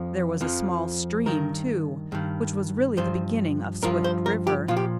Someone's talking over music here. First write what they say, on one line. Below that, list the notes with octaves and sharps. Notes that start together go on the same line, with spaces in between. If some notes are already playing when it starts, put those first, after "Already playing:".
There was a small stream, too, which was really the beginning of Swift River.
Already playing: F2 F3
F2 F3
G2 D#3 A#4
G2 D#3
G2 F3 C5
G2 F3 A#4
C5
A#4
G4
A#2 F3 F4
G4